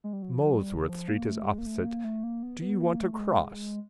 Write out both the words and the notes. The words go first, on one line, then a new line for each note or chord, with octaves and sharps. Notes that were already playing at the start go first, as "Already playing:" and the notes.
Molesworth street is opposite. Do you want to cross?
G#3
G3
F#3
F3
F#3
G3
C#3
F3
A#3
A3
G3
G#3
A#3
A3
A#3
A3
A#3
B3
B3
A#3
A3
A3
G#3